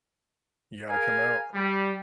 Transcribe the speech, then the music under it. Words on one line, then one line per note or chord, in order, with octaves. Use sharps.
You gotta come out.
G#4 A#4 F5 G#5
G3